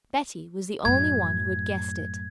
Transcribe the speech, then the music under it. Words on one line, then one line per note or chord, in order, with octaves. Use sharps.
Betty was the only one who had guessed it.
F#2 A2 G#6